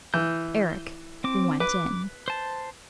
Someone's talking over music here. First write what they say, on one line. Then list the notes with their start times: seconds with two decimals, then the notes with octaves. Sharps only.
Eric went in.
0.14 E3 G6
1.24 C4 D6
1.60 B4 D6
2.28 C5 A5